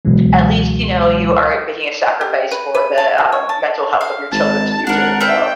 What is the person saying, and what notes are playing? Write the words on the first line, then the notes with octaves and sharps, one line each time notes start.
at least, you know, you are making a sacrifice for the, uh, mental health of your children's future, you know.
C#2 B2 E3 F#3 G#3
G4
B4
B4
A5
F#3
C#5
A5
F5
G#1 A5
G#1 D4 A#4 F#5
F4 A4 B4 G5